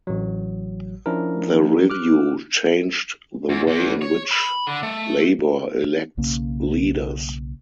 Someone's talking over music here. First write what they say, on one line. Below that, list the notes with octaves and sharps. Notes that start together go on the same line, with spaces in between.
The review changed the way in which Labour elects leaders.
A1 F#3
F3 C#4 D4 E4 A#4
D6 F6 F#6
E2
E2
C#5
B5
D3
A3
B1 C#3 A#3 C#4